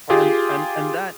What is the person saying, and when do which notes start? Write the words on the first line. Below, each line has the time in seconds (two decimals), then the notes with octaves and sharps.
and and and that
0.10 F4 G4 G#4